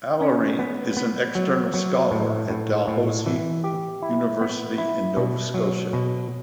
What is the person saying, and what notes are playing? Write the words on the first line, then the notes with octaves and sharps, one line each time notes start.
Alary is an External Scholar at Dalhousie University in Nova Scotia.
C#4
B3
B3
F#3
F#3
A2
A2
A2
E3
G4
E4
B3
E4
B2
F#3
B2